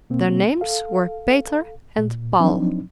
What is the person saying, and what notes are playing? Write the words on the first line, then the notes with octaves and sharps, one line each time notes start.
Their names were Peter and Paul.
B2 A#3 C4
A4 F5
A#2
F3 F#3 C4 D4 D#4